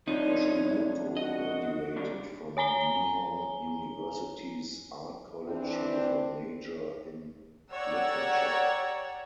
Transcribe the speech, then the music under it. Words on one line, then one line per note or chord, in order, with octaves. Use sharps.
Yoshimoto graduated from Nihon University's Art College with a major in literature.
C3 F3 D4 D#4 C#5
F#4 D#5
D#2 G3 D4
C#5 G#5 A#5 G7
E3 C4 D4
G4 C#5 D5 F#5 A#5 E6